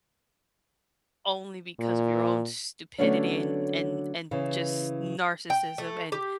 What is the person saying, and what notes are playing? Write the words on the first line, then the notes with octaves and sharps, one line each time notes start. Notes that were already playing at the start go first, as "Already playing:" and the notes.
only because of your own stupidity and and and just narcissism and
A#2
D3 F#3 A3 B3 C#4 D4
C#3 E3
G5
A3
G4